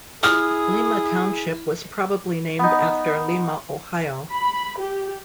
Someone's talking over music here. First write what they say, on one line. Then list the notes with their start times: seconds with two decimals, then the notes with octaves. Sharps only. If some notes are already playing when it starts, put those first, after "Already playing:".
Lima Township was probably named after Lima, Ohio.
0.23 E4 G#4 D#6 F6
2.59 B3 D#4
4.31 B5
4.79 G4